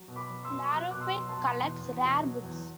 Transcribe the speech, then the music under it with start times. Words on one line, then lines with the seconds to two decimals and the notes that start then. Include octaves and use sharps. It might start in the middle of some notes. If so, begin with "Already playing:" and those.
Larroquette collects rare books.
Already playing: F#3
0.08 B2
0.16 B5 D6
0.30 F#3
0.44 C6 E6
0.51 B2
0.72 F#3 F#6
0.91 B2 D6 F#6
1.01 C6 E6
1.16 F#3
1.29 A5 C6
1.37 B2
1.58 E2
1.80 E2
2.01 B2
2.21 F#3
2.43 E2